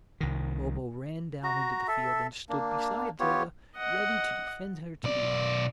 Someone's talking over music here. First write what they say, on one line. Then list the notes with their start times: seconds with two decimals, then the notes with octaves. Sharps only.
Bobo ran down into the field and stood beside Tilda, ready to defend her to the end.
0.21 C2 D#3
1.43 F#4 A#5
1.88 A4 E5
2.49 A#3 D4
3.20 B3 F4 G4 C#5
3.76 D#5 F#5
5.04 B1 D5